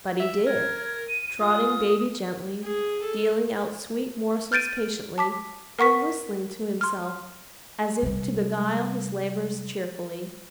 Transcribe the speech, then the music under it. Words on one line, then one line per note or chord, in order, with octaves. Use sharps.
But he did, trotting baby gently, dealing out sweet morsels patiently, and whistling to himself, as if to beguile his labors cheerfully.
E5
A#4 G#6
D#7
F4 D#6
G#4
A4
F6 G6 A6 D7 D#7
A5 D6 B6
A#4 F#5 C#6 B6
C6 F6
C3 G3